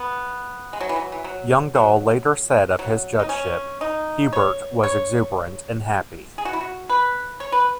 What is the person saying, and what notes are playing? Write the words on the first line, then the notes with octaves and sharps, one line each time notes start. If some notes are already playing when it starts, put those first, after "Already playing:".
Youngdahl later said of his judgeship: Hubert was exuberant and happy.
Already playing: B3
G#3
F#3
E3
F#3
E3
F#3
F#3
F#3
D#4
C#4
D#4
C#5
C#5
G#4
F#4
E4
F#4
B4
C#5
B4